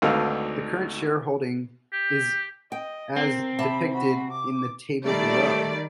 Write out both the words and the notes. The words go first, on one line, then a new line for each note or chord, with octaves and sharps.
The current shareholding is as depicted in the table below.
G#1 D2 D3 D#4 B4 F5
G4
D#5 G5
C4 A#4
C3 E5 A5 B5
F#4 B5
D6
D#3 G3 A3 D5